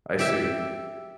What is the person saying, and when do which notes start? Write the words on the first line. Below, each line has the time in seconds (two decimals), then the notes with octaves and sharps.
I see.
0.19 G4 E5